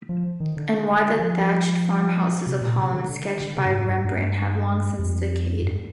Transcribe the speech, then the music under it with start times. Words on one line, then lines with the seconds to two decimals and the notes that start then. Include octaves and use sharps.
And why the thatched farmhouses of Holland sketched by Rembrandt have long since decayed.
0.09 F3
0.40 D#3
0.57 D3
1.19 F3
2.47 C3
2.61 A#2
2.78 C3
2.94 D3
3.10 D3
3.41 D3
3.57 C3
3.65 G2
3.72 G#2
3.89 G2
4.04 G2
4.99 F2
5.62 G2